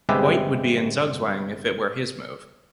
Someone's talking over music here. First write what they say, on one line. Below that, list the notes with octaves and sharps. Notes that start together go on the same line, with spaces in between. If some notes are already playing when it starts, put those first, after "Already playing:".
White would be in zugzwang if it were his move.
G1 C3 G#3 G4 B4 E5